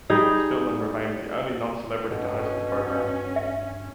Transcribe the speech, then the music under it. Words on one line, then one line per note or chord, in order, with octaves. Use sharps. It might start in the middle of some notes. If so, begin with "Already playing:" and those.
Spillman remains the only non-celebrity to host the program.
G3 D#4 G#4
G2 B2 C#4
E5